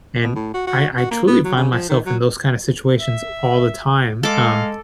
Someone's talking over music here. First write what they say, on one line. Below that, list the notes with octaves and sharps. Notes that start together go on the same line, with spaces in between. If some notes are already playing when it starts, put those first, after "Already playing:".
And I I truly find myself in those kinda situations all the time, um,
B2
A2
F#4
F#4
F#4
A#3
B3
F#3
C#3
F3
D#3
F#3
E5
G#3 A4 F5 D6